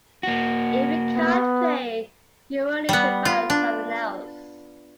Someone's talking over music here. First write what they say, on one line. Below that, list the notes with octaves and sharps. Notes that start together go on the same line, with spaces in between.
If you can’t play, you will need to find something else.
A#3 F#4
B3
G3 B3
F4
D4